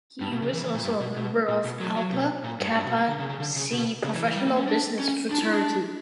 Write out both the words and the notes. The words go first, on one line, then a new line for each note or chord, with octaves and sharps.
He was also a member of Alpha Kappa Psi Professional Business Fraternity.
G2
B2
C#3
E3
E3
A#2
G2
B2
B2
A#2
B2
F#3
F#3
B2
A#2
G2
G2
B2
D3
C#3
C#3
D3
C#3
B2
C#3
E3
E3
G3
A#3
C#4
D4
C#4
D4
E4
D4